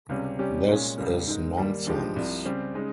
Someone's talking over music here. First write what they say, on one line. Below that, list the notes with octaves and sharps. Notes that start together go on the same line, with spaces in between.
This is nonsense.
C#2 C3 G3 C#4
C3 G3 C#4 G4
A#2 G#3 C#4
C#2 C#3 G3
G#2 D#3 G#3
D#2 D#3 G3 A#3
G2 F3 G#3 D#4 G4
C2 C3 F3
C#3 G3 C4 G4
C#3 G#3 D#4